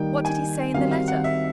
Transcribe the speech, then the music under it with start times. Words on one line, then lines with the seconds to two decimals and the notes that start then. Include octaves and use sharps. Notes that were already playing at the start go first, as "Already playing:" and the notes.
"What did he say in the letter?"
Already playing: D#3 G3 A#3 D#4 G5
0.25 G#5
0.74 D#3 G3 C4 D#4 F#4 F5
0.91 F5
1.08 F#5
1.24 E5